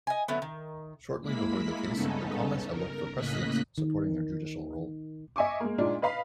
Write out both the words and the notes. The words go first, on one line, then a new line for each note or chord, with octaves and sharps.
Shortly before the case, the Commons had looked for precedents supporting their judicial role.
D#5 G#5
D3 F#3 A3 B3
D#3
G#3 A#3 E4 B5 B6
G2 C#3 B3 C#4 D#4 A4
A#4
A2 C#3 A#3 D#5 F#6 B6
D#3
D#5 E5 G#5 C#6 D6
G#3 A#3
A#2 G#3 D4 D#4 F4
B4 D#5 F5 B5